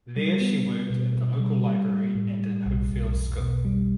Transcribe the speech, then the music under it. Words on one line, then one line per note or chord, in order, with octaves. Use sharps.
There she worked in the local library and in Hopefield School.
G3
B3
B3
B2
B2
G3
G3
G3
A2
G3
B1
B1
E2
B2
G3